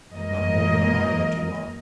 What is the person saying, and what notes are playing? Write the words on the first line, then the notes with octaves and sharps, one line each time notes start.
"Not more than a mile or two off."
F#2 E3 G#3 A#3 A#4 D#5